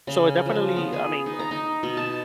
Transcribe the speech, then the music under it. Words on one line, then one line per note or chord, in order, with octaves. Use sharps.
So I definitely, I mean e e
C#3
F3
B3
G#4
D#4
A#5
D#4
B2
A5